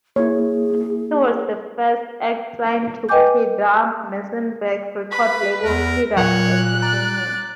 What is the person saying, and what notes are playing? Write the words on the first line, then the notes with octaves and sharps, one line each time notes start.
He was the first act signed to Kedar Massenburg's record label, Kedar Entertainment.
A#3 E4 G#4 C#5
B4 D#5 G5 G#5 D6 G6
B4 B5
E2 A#4
A#2 F#3 A#4 C#5 F#6
D5 A#5